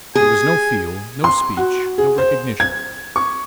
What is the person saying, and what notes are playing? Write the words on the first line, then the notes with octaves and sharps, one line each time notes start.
There was no feel, no speech, no recognition.
G#4 G#5
C6
F#4
G#4
C5
G#6
C#6